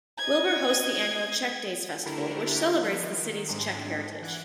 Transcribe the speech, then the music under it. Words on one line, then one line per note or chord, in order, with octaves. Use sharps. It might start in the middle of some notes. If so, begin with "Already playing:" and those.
Wilber hosts the annual Czech Days festival which celebrates the city's Czech heritage.
D#5 G#6
D3 A3 D4 E4 G4 A#4
F3 B3 F#6
D#3
G#2 G#3 C4 D4
E3 F#5 F#6 G#6 D7